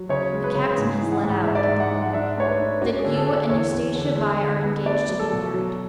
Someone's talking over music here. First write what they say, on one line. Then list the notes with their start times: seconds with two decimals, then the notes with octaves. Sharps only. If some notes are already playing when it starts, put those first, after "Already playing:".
"The captain has let out at the Woman that you and Eustacia Vye are engaged to be married."
Already playing: F#3
0.09 C#3 C#5
0.32 G#3
0.44 B4
0.55 C#3
0.78 G#2 G#4
1.00 E3
1.12 F#5
1.24 G#2 F#5
1.46 G#2 E5
1.55 D5
1.64 E5
1.68 G#2
1.80 F#5
1.91 G#2
2.02 F#5
2.13 D4 E5
2.37 A3 C#5
2.48 B4
2.59 D4
2.82 C#4 F#4
2.99 G#4
3.05 D3
3.16 A4
3.28 D3
3.33 C#5
3.49 E2 C#5
3.73 E2
3.95 D3
4.17 G#3
4.40 D3
4.63 B3
4.86 A3 D5
5.09 F#3
5.19 A4
5.32 B2
5.54 F#3